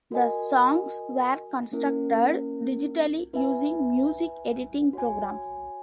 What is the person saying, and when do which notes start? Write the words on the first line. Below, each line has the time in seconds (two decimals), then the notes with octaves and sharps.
The songs were constructed digitally using music editing programs.
0.12 F#4 A#4 D#5 G#5
1.71 A#3 C#4 E4 A#4
3.33 E4 B4 E5 G#5
4.93 F#4 C#5 G#5